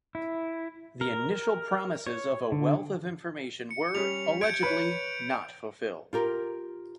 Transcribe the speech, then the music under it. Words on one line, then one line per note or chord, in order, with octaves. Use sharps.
The initial promises of a wealth of information were, allegedly, not fulfilled.
E4
A#4
C#5
D3
C#7
G3 C#4 F7
G6 G#6 C#7 D7
B4 C#5
F4 G4 A#4